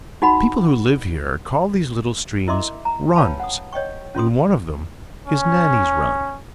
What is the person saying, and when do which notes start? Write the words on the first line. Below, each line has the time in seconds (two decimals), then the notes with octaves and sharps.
The people who live here call these little streams RUNS, and one of them is Nannie's Run.
0.22 D#4 F#4 F#5 B5
2.48 E4 A#4 D#5 E5 C6 D6
2.85 A#5
3.15 B4 C#5 F5 G5 A5 B5
3.40 F#5 D#6
3.73 C#5 D#5 G5 C#6
4.15 C#4 F4 C6 D#6
5.28 C#4